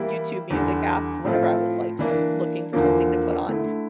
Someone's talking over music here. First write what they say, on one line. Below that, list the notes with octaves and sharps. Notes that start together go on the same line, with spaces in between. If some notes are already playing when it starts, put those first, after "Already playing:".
YouTube Music app whenever I was, like, s looking for something to put on,
Already playing: E3 G3 A#3 E4 G4
E2 D3 G3
A2 F3 C4 F4 A4
E3 A#3 D4
E2 D3 F3 A#3
D3 A3 E4